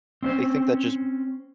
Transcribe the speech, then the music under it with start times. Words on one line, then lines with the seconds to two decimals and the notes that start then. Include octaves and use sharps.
they think that just
0.22 C4 C#4 C5